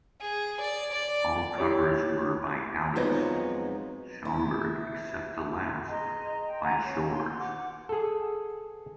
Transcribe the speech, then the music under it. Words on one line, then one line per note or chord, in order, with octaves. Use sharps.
All covers were by Alex Schomburg except the last, by Shores.
G#4
D5
D5
E4 G4 C#5
F2 F3 F#3 G#3 B3 D#4
E4
G#4 D#5 A#5 C6
G5
F#5 G#5 A#5
C#4
C6
F#5 D6
G#4 A4